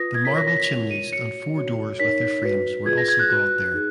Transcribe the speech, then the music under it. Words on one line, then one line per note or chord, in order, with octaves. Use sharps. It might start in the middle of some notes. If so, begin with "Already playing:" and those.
The marble chimneys and four doors with their frames were also brought there.
Already playing: F4 B4 D#6 A#6
G#6
F4 A#4 C#5 B6
A#6
A#6
B6
F4 A#4 C#5 F7
D#7
F#4 C#5 C#7
F#4 C#5
D#4 A#4 C#5 B6
F#4 B4
F4 G#4 B4 G#6
A#6
G#6
F#6
F#4 B4 F#6
D#4 G#4